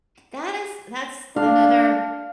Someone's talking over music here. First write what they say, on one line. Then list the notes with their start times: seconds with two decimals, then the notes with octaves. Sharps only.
That is that's another,
1.36 D4 F5